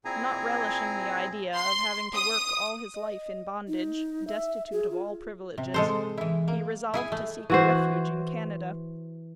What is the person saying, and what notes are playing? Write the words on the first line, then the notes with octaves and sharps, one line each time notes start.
Not relishing the idea of having to work all his life in bondage, destitute of all privileges, he resolved to seek a refuge in Canada.
A#2 C4 E4 G#4 G#5 A#5
C6
D#6
D#5
D#4
E5
G#4
F4
C3
G#3 A4 C5
E3 E4
A#3
E4 G#4 G#5
A3
E3 F#4 C5